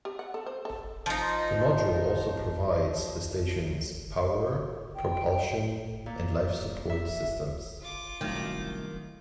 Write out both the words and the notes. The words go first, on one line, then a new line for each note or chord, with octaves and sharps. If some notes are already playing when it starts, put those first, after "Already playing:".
The module also provides the station's power, propulsion, and life support systems.
G4
F#5
A4
C5
A4
F3 D#4
G5
A#2
E5
F4 D6
C2 F#2 A2 D#3